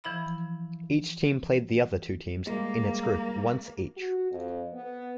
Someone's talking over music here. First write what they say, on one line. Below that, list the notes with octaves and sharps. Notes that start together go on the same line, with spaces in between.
Each team played the other two teams in its group once each.
E3 F3 E4 E5 B5
G3 G#3 A#3
F#4
F2
B3